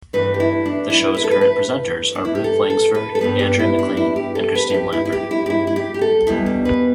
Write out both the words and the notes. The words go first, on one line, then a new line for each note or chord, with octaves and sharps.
The show's current presenters are Ruth Langsford, Andrea McLean, and Christine Lampard.
G2 E3 A3 B4
G4
E4
D4
E4
B4
A4
B4
B4
D4
E4
G4
A4
A4
B4
A4
G2 G3 B3 B4
G4
E4
D4
E4
G4
A4
B4
E4
G4
E4
E4
G4
E4
G4
E4
E4
G4
G4
A4
E2 B2 G3 B3 E4
D4
B4